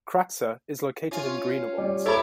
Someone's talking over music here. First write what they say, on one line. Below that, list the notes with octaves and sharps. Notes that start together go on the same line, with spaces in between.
Kratzer is located in Greenawalds.
C#4 F4
G3
E4 G4 A4 C#5 B5